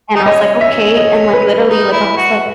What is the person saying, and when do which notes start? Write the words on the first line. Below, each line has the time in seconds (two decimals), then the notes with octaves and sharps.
and I was like “Okay,” and, like literally, like I was, like,
0.15 D#4
0.25 C#4 D#5
0.61 E5
0.97 D#5
1.33 B4
1.68 D#4
1.92 E4
2.17 F#4